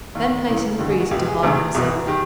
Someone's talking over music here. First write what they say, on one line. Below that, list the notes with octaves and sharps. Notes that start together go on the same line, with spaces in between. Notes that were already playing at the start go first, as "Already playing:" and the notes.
Then place in the freezer to harden and serve.
D#2 D#3
E2 C#3 E3
D#2 D3 G4
G#4
F#4
C#2 B2 G4
G#4
D2 C3 D#3
C2 B2
D#3 G4